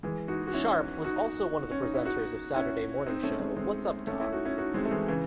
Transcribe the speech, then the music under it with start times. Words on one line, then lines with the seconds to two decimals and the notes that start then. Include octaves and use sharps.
Sharp was also one of the presenters of Saturday morning show What's Up Doc?
0.03 E3 G#3
0.28 D#4 F#4
0.47 F#4
0.54 C#4 E4
1.04 D#4 F#4
1.71 C#4
1.83 D#4
1.94 E4
2.05 D#4 F#4
2.56 C#4 E4
3.06 C4 D#4
3.23 A3 C#4
3.40 G#3 C4
3.57 G#3 C4
4.07 A3 C#4
4.20 C#4 E4
4.32 D#4 F#4
4.45 C#4 E4
4.58 D#4 F#4
4.74 G#3 C4
4.85 A3
4.91 E3 G#3
5.08 C#3 E3